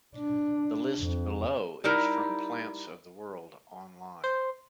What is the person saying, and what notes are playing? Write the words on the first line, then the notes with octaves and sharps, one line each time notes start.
The list below is from "Plants of the World Online".
D4
F2
G3 D#4 E4 A#4
C5